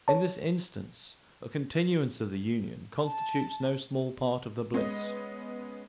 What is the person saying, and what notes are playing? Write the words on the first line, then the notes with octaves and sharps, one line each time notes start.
In this instance a continuance of the union constitutes no small part of the bliss.
C#5 A5
A5
G#3 B3 C#4 D#5